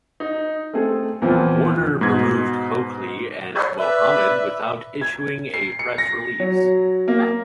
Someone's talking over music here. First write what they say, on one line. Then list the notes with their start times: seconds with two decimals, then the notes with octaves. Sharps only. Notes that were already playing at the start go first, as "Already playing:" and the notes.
Warner removed Cokely and Muhammad without issuing a press release.
0.20 D#4
0.73 A3 C4 G#4 A4
1.22 E2 A#2 E3 F3 C4
2.01 G#2 B2 G#6
3.78 B4 D5 E5
5.01 G#6
5.54 C7
5.79 C#7
5.98 A#6
6.40 F#3
7.08 A#3